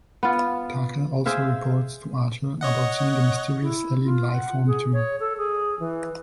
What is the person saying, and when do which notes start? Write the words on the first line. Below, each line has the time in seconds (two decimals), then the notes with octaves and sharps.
Tucker also reports to Archer about seeing a mysterious alien life form too.
0.23 B3 F4
1.26 G#4 C5 E5 F5
2.61 C#5 D#5 F#5
3.61 E4
4.04 F4
4.32 F#5
4.67 G#4
4.93 C#5
5.20 A4
5.37 G#4
5.80 E3